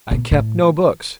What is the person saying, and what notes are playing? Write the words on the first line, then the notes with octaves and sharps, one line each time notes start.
I kept no books.
B2
A2